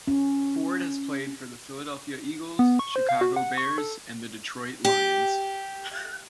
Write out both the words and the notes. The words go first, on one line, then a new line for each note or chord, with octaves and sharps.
Ford has also played for the Philadelphia Eagles, Chicago Bears and the Detroit Lions.
C#4
B3
C#6
C5
F5
F#4
F#5
C#6
A4
G4